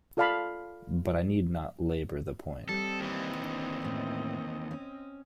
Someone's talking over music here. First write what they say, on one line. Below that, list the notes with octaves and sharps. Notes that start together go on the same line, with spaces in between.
But I need not labour the point.
F4 A4 D5 F5 A5 B5
G3 C4 A4 D#5
D#2 E3
D4
A2 C#4
C#4